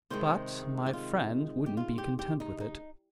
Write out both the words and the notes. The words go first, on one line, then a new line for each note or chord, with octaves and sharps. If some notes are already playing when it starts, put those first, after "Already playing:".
But my friend wouldn't be content with it.
C3 D#3 G#3 C5
G4
F4
G4
F4
G4
G4
D#4
D#4